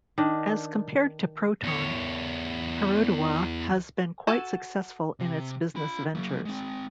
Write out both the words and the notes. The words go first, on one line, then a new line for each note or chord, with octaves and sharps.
As compared to Proton, Perodua has been quite successful in its business ventures.
D#3 D4
E2 C#5
F#4 A4 G#5 A5
C3
F4 B5
F#3 A#3
G#3 C4